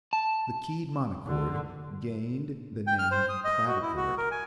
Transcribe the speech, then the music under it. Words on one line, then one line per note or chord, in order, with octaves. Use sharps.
The keyed monochord gained the name clavichord.
A5
D3
G5
F6
C5
D#6
D#5
F#4
E4
F#4
A#4
G#5